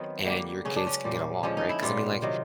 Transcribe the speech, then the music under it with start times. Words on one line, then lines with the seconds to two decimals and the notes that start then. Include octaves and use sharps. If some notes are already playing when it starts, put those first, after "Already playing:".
and your kids can get along, right, 'cause I mean, like
Already playing: D#3 F#3 B3 C4
0.25 D3 G3 A#3
0.65 C#3 F#3 B3 C#4
0.76 D4
0.87 C#4
1.04 A#2 G3 A#3
1.43 D3 F3 G#3 C#4
1.57 D#4
1.69 E4
1.82 A#2 G3 B3 F4
2.22 C3 D#3 F#3